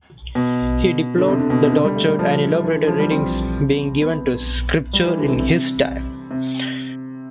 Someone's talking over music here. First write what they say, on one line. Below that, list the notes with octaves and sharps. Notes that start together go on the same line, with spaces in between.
He deplored the tortured and elaborated readings being given to Scripture in his time.
B2
D3
C3
D3
B2
C3
D3
G3
A3
G3
F3
E3
D3
F3
G3
C4
B3
G3
E3
D3
C3
C3
C3